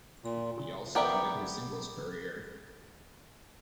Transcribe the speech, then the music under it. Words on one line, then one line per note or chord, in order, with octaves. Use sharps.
He also ended his singles career.
A#2
B3 G4 A#4 D5 E5